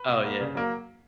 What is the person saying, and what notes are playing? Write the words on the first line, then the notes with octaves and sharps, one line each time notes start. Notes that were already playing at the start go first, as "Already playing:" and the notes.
Oh, yeah.
Already playing: B4
B2
A#3
C#3
F#3 A#3